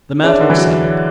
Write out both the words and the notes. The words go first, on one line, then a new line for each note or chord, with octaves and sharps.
The matter was settled.
D4 G#4 C#5 E5
D3
E3
F#3